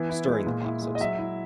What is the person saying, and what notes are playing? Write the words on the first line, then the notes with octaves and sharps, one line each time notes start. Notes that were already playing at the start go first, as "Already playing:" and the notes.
"Stirring the pot", so to speak
Already playing: E3 B3
E4
G#3
A#2
E4
G#3
D#5
F#3 E5
E4